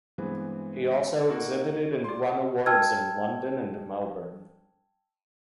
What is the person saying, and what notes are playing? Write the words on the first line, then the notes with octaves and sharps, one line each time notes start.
He also exhibited and won awards in London and Melbourne.
G2 E3 G3 G#3 B3 C4
A#3 D#4 F#4
D5 C6
G5 A5 E6 F6 G#6